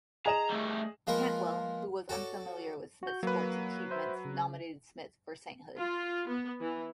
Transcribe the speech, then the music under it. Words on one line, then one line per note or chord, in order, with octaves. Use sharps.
Cantwell, who was unfamiliar with Smith's sports achievements, nominated Smith for sainthood.
G#4 D#5 A#5 E7
G3 A3
F3 G#3 A#3 F4 A#4 B4
F#4 A4 C#5 D5
F#4 G6
F#3 A#3 B4
C5 E5
C#3
F4
B3
E3